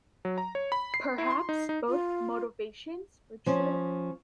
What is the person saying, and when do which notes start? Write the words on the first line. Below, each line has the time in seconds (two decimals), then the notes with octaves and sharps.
Perhaps both motivations were true.
0.25 F#3
0.38 A#5
0.55 C#5
0.72 B5
0.94 C7
1.18 E4
1.30 C6
1.49 D#4
1.69 D#4
1.88 F4
3.46 F3 C#4